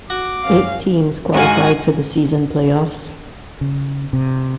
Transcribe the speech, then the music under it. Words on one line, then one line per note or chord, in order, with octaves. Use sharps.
Eight teams qualified for the season playoffs.
F#4 D6
F#2 C#4 F5
G#2 F#4 F5 G#5
C#3
C3